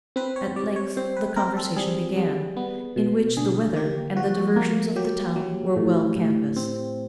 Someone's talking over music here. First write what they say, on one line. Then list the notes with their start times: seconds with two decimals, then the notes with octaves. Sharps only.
At length the conversation began, in which the weather and the diversions of the town were well canvassed.
0.16 C4 B4
0.36 C#5
0.56 G3 D5
0.76 C#5
0.97 C4 C5
1.17 B4
1.36 C4 A#4
1.57 A4
1.76 G3 G#4
2.16 G3
2.57 B3
2.96 B2
3.37 D3 G#4
3.76 A#3 G4
4.16 F3 F#4
4.56 A#3
4.96 F#3 G4
5.36 F#3
5.76 A2
6.17 A2
6.56 C4